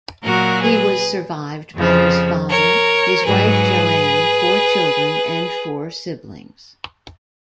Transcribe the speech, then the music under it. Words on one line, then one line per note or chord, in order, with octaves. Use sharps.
He was survived by his father, his wife Joanne, four children and four siblings.
A#2 F#3 F#4 A#4
G#4 B4
F2 C#3 F3
A#4 C#5
G#2 F#3 G#4 B4